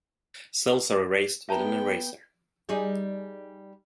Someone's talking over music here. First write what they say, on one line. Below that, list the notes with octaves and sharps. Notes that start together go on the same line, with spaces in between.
Cells are erased with an eraser.
B3 E5 G5 A5 A#5
G3 D#4 G#4